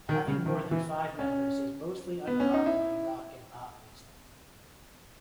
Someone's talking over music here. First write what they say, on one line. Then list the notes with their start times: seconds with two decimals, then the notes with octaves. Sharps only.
Having more than five members is mostly uncommon in rock and pop music.
0.09 D#3
0.27 C#3
0.46 D#3
0.71 E3
1.19 C#4
2.27 B3
2.40 C#4
2.53 D#4
2.66 E4